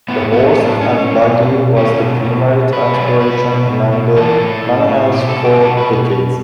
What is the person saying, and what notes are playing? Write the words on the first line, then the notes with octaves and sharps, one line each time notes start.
The horse and buggy was the primary transportation among the Mennonites for decades.
A2 B3
A2 B3
B3
A2
D4
A2 C#4
B3
C#4
A2
B2
B2
B2 C#4
B2
B2
B2
B2 B4
B2 D5
C#5
B2 B4
B2
B2
B2
E3 A4
A2
A2
A2
B2 G4
A4
B2
G4
B2 A4
B4
B2